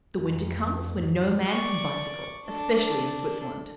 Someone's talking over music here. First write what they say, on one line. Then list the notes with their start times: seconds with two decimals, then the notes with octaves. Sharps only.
The winter comes, when no man can bicycle, especially in Switzerland.
0.19 F2
0.98 G#2
1.50 D5 C#6
2.47 D4 A4